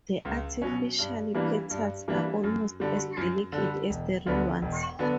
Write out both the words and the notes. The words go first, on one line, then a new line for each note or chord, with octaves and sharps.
The artificial petals are almost as delicate as the real ones.
C#2
B2 F#3 C#4
G2
E3 G3 A#3 D4
G2
E3 G3 A#3 D4
F#2
D3 G3
F#2
D3
G3
E1
D2 D3 F#3 B3
E1
D3 F#3 B3